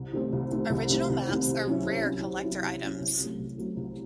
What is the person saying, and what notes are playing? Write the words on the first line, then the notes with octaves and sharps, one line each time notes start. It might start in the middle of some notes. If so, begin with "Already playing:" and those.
Original maps are rare collector items.
Already playing: C2
C3 D#3 A3 C4
C2
C3 D#3 A3 C4
C2
C3 D#3 A3 C4
C2
C3 D#3 A3 C4
C3
F#3 C#4 E4
C3
F#3 C#4 E4
C3
F#3 C#4 E4
C3
F#3 C#4 E4
C2
C3 F#3 A3
C2
C3 F#3 A3
C2